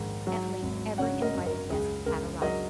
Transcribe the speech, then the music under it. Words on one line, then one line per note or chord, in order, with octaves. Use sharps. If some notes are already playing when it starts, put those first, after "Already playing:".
At length every invited guest had arrived.
Already playing: A#1 G#2 D#3
F#3
G#1
C#3 C#5 F#5
A#4 D#5
F#2
A#4
C#2 G#4
C#2 A#4
F#3 A#4 D#5